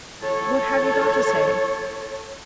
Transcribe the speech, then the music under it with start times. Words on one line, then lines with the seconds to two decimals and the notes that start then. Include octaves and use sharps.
What have you got to say?
0.22 A4 C#5